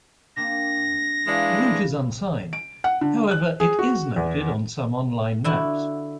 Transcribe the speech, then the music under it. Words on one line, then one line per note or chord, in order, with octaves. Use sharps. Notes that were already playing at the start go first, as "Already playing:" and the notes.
The route is unsigned; however, it is noted on some online maps.
A#3 C4 D4 A#6
E3 G#3 D4 F5 B5 B6
D7
F#5
D3
F#6
G#4
F#4
E2
D3 E4 F#4